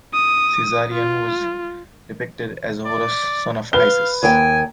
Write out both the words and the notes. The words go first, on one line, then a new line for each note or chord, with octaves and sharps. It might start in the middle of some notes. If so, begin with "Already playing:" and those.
Caesarion was depicted as Horus, son of Isis.
D#6
F4
D5
B4 F5 G7
D#2 G5 G#5